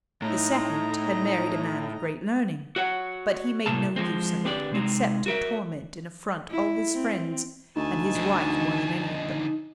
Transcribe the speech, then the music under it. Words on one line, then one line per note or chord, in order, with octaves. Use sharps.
The second had married a man of great learning; but he made no use of it, except to torment and affront all his friends, and his wife more than any of them.
A2 D#4 A#5
F#4 C#5 F#5
A2 C3 A3 A#3 A5
F3 G#3 C4
D3 C4 G4 G#4 B4 D5
C3 G#3 C4 D#4
F#4 A#4 E5
E4
C4
D2 D#4 G#5 A5
D3 F3